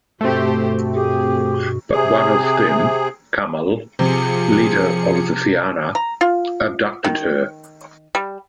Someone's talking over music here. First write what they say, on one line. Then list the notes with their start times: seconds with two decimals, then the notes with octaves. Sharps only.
But one of them, Cumhal, leader of the fianna, abducted her.
0.21 G2 B2 A3 C4 F#4 G4 C5
0.94 G4 G#4
1.91 C3 G#4
3.99 C3 F3 G#4 C#7
5.95 A#5
6.21 F4
7.04 D#3
8.15 G3